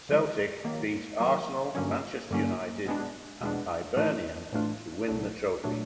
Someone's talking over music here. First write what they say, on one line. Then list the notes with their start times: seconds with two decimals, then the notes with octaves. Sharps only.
Celtic beat Arsenal, Manchester United and Hibernian to win the trophy.
0.09 D3 F3 G#3
0.64 D#3 F#3 A#3
1.19 D#3 F#3 A#3
1.75 G2 D3 F#3 A#3 C#4
2.31 G2 D3 F#3 A#3 C#4
2.86 B2 G#3 B3 D4
3.41 B2 G#3 B3 D4
3.96 A2 E3 A3 D4 F4
4.53 A2 E3 A3 D4 F4
5.08 C2 A#2 F#3 A3 D4
5.64 A#2 F#3 A3 D4